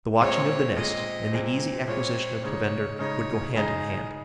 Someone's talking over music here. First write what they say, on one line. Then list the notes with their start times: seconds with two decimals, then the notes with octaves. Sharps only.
The watching of the nest and the easy acquisition of provender would go hand in hand.
0.21 A#2 G#3 C4 C#5
0.77 A#2 G#3 C4 D#5
1.33 A#2 G#3 C4
1.88 A#2 G#3 C4 C#5
2.43 C#3 G#3 D#4 C#5
2.99 C#3 G#3 D#4 C#5
3.55 C#3 G#3 D#4 G#4